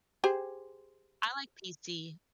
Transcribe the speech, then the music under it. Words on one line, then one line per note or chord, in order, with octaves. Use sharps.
I like PC.
G4 G#4 C5